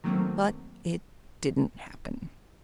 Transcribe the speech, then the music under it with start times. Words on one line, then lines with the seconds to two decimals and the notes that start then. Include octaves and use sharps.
But it didn't happen.
0.04 D#3 F#3 A3 A#3 C4